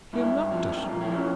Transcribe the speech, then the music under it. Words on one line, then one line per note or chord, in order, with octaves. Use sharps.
He unlocked it.
G2 E4
G2
F3
G2
A#2 F4
E4
F3
C#4